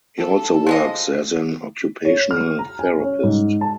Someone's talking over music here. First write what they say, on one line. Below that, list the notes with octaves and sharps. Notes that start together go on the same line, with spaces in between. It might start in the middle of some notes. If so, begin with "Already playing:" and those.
He also works as an occupational therapist.
A4
F3 G#3 D#5
C#5
F6
A#5
G#5
C#4
G#2
A5